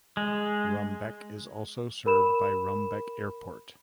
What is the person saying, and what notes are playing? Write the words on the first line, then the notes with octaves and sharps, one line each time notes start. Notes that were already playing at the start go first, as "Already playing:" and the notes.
Rumbek is also served by Rumbek Airport.
G#3
A#4 B5 E7